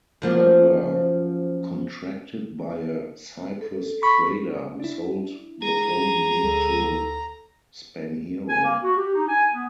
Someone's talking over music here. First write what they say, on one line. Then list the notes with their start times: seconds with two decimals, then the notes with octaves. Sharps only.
That were contracted by a Cyprus trader who sold the frozen meat to Spanghero.
0.22 F#2 F3 A#3
3.61 A4
4.03 B5 C#6
4.80 D4 E4
5.62 G#3 G#4 A#5
6.44 D2 A4
8.49 G#5
8.64 A#3
8.84 F#4
8.97 G4
9.15 D#4
9.29 G#5
9.53 B3